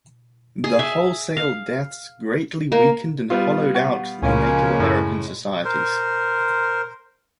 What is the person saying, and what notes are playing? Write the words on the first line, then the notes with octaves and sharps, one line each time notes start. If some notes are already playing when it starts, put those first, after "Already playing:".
The wholesale deaths greatly weakened and hollowed out the Native American societies.
G#4
E5
F5
A#3
G3 B3 F4
F#5 C#6
C#2 A#2 C#3 F3 G#3 A#3 C#4 F5
F#2 A2 E6
A#4 C5